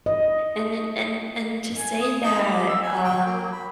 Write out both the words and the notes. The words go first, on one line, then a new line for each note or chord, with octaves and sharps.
And then, and and to say that, um,
D#5
G#5
D#6
D#4
D6
E6
G#5
G5
A#3
B5